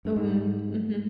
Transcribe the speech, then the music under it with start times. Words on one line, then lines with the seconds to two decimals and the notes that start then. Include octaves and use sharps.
Mm, mhm.
0.05 G2
0.16 G#2